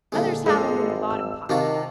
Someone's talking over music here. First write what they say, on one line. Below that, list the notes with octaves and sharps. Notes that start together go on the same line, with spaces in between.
Others have 'em in the bottom pocket.
C2 A#2 D3 G#3
A#1 G2 G#3 D4 A4
G#1
E6
C3 D#3 D4 F4 F#4